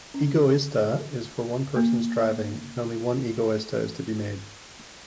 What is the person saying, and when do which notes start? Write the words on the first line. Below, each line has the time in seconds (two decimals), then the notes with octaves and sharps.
Egoista is for one person's driving and only one Egoista is to be made.
0.14 C#4
1.76 A#3